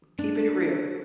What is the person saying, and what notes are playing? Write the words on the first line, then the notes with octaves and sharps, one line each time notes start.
keeping it real.
D4